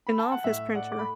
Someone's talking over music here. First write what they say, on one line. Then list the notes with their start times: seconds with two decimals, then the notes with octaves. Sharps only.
an office printer.
0.07 B5
0.19 A5
0.32 F#5
0.44 A2 E5
0.75 D5 F#5
0.91 A3 D6
0.99 B5